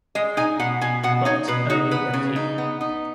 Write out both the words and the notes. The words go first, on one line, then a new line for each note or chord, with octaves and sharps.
But only a few.
G#3 D#5
D#4 G#5
B2 F#5
B2 G#5
B2 F#5
D#4 C#5
B2 B4
D#4 F#4
B3 B4
C#3
D#4
B3
D#4